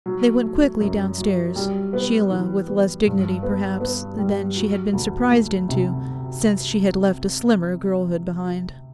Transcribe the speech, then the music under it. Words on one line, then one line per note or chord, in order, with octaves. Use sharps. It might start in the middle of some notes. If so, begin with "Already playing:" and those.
They went quickly downstairs, Sheila with less dignity, perhaps, than she had been surprised into since she had left a slimmer girlhood behind.
F#3
A3
F#2
F#3
G3
B3
E3
B3
G2
B3
B3
G3
F#3
D2
A3
C3